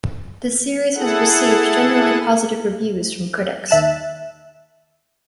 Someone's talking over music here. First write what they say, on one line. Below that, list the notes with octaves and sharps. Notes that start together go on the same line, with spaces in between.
The series has received generally positive reviews from critics.
E4 G#4 A4 F#5
D#2 E5 A5 F#6 E7